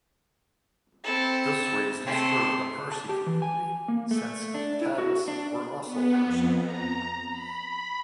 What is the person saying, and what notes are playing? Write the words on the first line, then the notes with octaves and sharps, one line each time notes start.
This raised a stir in the Parsi community since the Tatas were also Parsi.
C4 E4 A4
C3 A3 C6
A5
G4
E3
G#5
A#3
A3
D4
E4
F#4
D4
B3
F2
A#5
B5